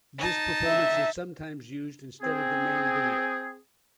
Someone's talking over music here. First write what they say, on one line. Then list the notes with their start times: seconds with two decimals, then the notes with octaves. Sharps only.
This performance is sometimes used instead of the main video.
0.18 D#4 A5
0.65 E5
2.22 C4 G#4